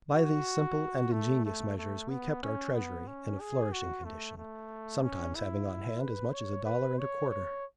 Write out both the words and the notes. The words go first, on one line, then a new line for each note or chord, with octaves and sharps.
By these simple and ingenious measures we kept our treasury in a flourishing condition, sometimes having on hand as much as a dollar and a quarter.
F#4
A3
A3
A3
B3
C#4
B3
C#4
G#4
F#4
A3
A3
C#4
E4
B4
C#5
B4
C#5
C#5